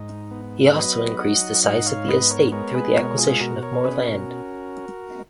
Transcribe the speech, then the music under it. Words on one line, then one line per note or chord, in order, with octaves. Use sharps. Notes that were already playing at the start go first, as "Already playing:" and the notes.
He also increased the size of the estate through the acquisition of more land.
Already playing: G#2 D#4
B3
F#3 B4 D#5
D#4 D#5 F#5
G#2 D#5 F#5
C#5 F5
B3 B4 D#5
A#4 C#5
G#3 A#4 C#5
G#4 B4
B2 A#4 C#5
F4 G#4
B2 F#4 A#4
A#4 C#5
C#4 G#4 B4
F#4 A#4